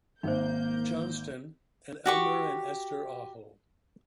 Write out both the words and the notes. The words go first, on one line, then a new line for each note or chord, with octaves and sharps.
Johnston and Elmer and Esther Aho.
G#1 A#3 D#4 C5 E5 G6
F#4 G4 C#6